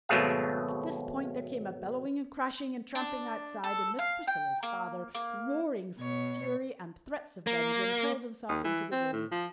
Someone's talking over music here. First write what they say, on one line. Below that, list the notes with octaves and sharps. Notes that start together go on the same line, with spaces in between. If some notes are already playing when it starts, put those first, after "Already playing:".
At this point there came a bellowing and crashing and tramping outside and Miss Priscilla's father, roaring fury and threats of vengeance, hurled himself into the room.
G#1 B2 F#3 A3 G#4 F5
D4
A4
F5
G5
A#3
A#3
B2 C#5
A#3
D#2
E3
C4
A2
F3